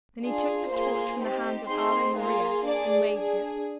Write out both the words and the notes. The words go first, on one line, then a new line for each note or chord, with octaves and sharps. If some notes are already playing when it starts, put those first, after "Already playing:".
Then he took the torch from the hands of Ave Maria, and waved it.
D4 F4 G#4
A#3 F4 G#4 C5 C6
C4 D#4 G4
C4 D#4 G#4 C5 C6
A#3 F4 G#4
D4 G#4 D5 D6
D4 G#4